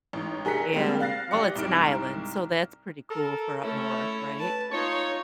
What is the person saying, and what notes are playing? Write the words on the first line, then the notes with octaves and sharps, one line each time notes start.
and well, it's an island, so that's pretty cool for up north, right?
A1 G#2
A#1 G#4 A#4 F#6 B6 C#7
G3 G#3 A#3 C4
F5 F#6 A6 A#6 C7
A#1 G4 D5 D6 F#6 C#7
C2 G#2 F6 D7
A4 A#4
A3 C#4 E4 A4 C#5
B4 A5
D#4 F4 C#5